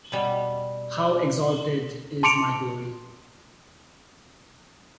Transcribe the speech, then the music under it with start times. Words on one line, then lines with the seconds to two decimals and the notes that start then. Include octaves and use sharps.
How exalted is my Glory!
0.12 B2 G3
2.23 A5 C6 D6 C#7 D7 F7